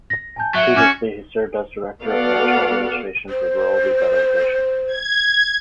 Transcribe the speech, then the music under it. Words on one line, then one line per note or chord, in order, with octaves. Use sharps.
Previously he served as director of the National Administration for Rural Revitalization.
A#6
G#5 A5 G6
F#3 E5 F#6
C#4 F#4 D6 G#6
B3 F#4 A4 D5 F5 F#5
C5
G#6